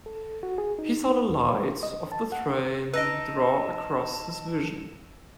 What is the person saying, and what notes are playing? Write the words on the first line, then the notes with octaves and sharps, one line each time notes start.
He saw the lights of the train draw across his vision.
A4
F#4
G#4
D#4
D#2
B4
D#5
A5
F#5
D#4 B4 D#5 A5 E6 A#6 D7